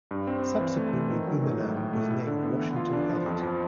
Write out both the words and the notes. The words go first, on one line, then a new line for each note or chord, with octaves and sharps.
Subsequently, Bumiller was named Washington editor.
G2
C4
C4
E3
A3
E3
D#3
F#3
G#2
A2
A2
A3
E4
D3
B3
E3
F4
D4
F3
F2
F3